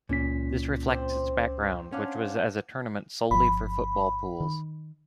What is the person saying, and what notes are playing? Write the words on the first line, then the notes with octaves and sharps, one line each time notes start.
This reflects its background, which was as a tournament solely for football pools.
C#2 A#2 C#4 B6
C4 C5 D5
C#4 D4 F5 F#5
G1 F3 B5
D#3